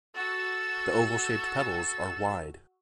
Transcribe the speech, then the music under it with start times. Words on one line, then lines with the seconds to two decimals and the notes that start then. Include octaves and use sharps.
The oval-shaped petals are wide.
0.17 F#4 A4 E6